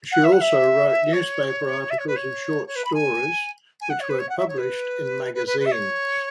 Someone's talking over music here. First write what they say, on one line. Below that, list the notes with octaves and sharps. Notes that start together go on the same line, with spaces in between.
She also wrote newspaper articles and short stories which were published in magazines.
F#5
E5
F#5
E5
C#5
E5
C#5
B4
C#5
C#5
B4
B5
G#5
G#5
F#5
C#5
B4
C#5
F#5
E5
C#5
B4
B4
B4
B4
E5
C#5